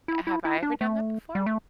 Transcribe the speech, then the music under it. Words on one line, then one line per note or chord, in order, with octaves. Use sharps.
Have I ever done that before?
E4
E4
E4
D4
A3
G3
A3